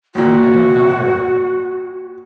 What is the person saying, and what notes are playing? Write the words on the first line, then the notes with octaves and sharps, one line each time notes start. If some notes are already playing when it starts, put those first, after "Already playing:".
Uh, I don't know her.
D#2 A#2 F#4